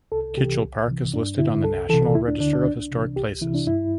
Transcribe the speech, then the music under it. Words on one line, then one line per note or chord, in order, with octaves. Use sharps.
Kitchell Park is listed on the National Register of Historic Places.
C2 A4
C3 E3 G4
C2
C3 E3
G2 D4
D3 E4
C2 A4
C3 E3 A4
D2 E4
D4
D3 D4
D4
C2
C3 E3
C2 G4
C3 E3 E4
D4
G2 E4